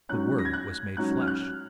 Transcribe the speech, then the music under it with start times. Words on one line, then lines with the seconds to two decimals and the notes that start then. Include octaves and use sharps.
The Word was made flesh.
0.09 G#2 F#3 C#4 F#6
0.38 A#6
0.45 G#6
0.53 F#6
0.97 G#2 F#3 C#4 F#6
1.21 F6
1.27 F#6